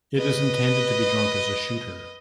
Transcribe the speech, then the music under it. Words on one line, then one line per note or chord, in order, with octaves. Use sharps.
It is intended to be drunk as a shooter.
B4 D#5